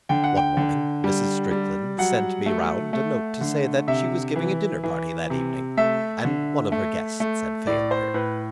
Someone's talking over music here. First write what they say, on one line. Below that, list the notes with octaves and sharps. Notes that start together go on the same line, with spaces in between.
One morning Mrs. Strickland sent me round a note to say that she was giving a dinner-party that evening, and one of her guests had failed her.
D3 G5
F#5
G5
D3
G3
G3
F#3 F#5
A3
A3
D3
C3 E5
E3
E3
C3
A3 E5
D3
A3
A3
A2 D5
C5
A2 B4